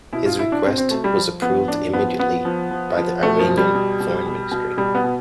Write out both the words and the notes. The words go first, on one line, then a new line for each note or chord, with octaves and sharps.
His request was approved immediately by the Iranian Foreign Ministry.
B2 E4
F4
B2 E4
D4
B2 C4
C4
B2 A3
G3
F3
F3 B3
A2 D4
F3 B3
F3 B3
F3
F3
F3
B2 A3
F3
B2
G3
B2
B2
B2
B2
B2 G3
B3
B2